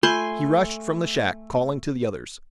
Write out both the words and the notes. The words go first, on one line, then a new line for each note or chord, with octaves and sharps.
He rushed from the shack, calling to the others.
A3 F4 G#5 B5 C6 G6 F#7